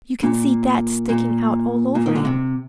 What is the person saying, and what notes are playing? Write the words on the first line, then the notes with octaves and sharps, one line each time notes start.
You can see THAT sticking out all over him.
A#2
A#2
A#2
D#3
D3
C3